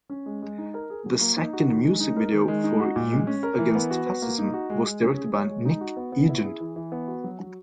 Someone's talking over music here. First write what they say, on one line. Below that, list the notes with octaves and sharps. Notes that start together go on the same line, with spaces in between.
The second music video, for "Youth Against Fascism", was directed by Nick Egan.
C#4
G#3
G#3
D#4
A#4
G#4
F#3
A#3
D#4
F#4
D#3
G#3
D#4
A#4
D#3
G#3
D#4
F#4
A#2
G#3
C#4
A#4
E3
B3
F#4
B4
A#3
D#4
F#4
G#3
G#3
C#4
G#4
C#5
G#3
D#4
F#4
B3
B3
E4
G#4
E3
E3
B3
F#4
F#3
F#3